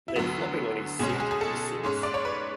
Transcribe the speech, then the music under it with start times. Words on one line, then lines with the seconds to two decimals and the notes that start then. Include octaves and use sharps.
Then flopping on his seat he sinks.
0.08 E4
0.16 D2 D3 F#3 B3 F#4
0.99 B1 B2 G#3 C#4 G#4
1.09 G#4
1.20 G#4
1.31 G#4
1.41 A4
1.84 G#2 G#3 C#4
2.03 D5
2.14 C#5
2.25 B4